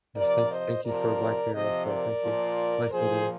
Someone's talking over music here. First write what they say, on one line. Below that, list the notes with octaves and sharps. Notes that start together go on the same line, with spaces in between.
Yes, thank thank you for Black Mirror, also. Thank you. It's nice meeting you.
C3 F3 A#4 D5
C5 D#5
C3 F3 A#4 D5
C3 F3 C5 D#5
A#4 D5
A#2 F3
A#2 F3 G#4 C5